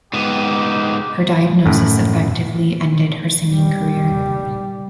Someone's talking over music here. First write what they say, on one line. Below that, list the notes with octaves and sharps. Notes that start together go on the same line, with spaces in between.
Her diagnosis effectively ended her singing career.
G#2 B3 D#4 G4
F#2 A2
G3